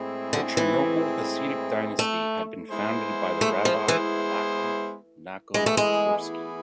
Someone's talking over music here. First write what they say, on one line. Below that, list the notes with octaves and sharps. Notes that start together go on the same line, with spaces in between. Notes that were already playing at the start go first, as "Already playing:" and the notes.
The Chernobyl Hasidic dynasty had been founded by Rabbi Menachem Nachum Twersky.
Already playing: A2 G#3 C4 E4 G#4
D3
E3
A3
G#3 B3 E4 G#4 C5
A3
F3
E3
E3 G#3 B3 E4 G#4
A3
G#3